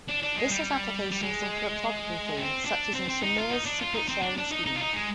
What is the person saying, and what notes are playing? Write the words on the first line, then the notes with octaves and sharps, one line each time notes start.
This has applications in cryptography, such as in Shamir's Secret Sharing scheme.
D4
D4
G#3
G3
G3
G#3
C4
D4
C4
C4
D#4
F4
D#4
D4
F4
D#4
C4
D4
D4
D#4
D#4
F4
D#4
G#3